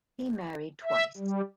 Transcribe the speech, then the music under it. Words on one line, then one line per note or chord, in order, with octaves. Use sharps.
He married twice.
E5
G3